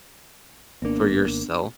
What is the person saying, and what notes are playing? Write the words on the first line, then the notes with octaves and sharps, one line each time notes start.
for yourself,
G#1 A#3 B3 D4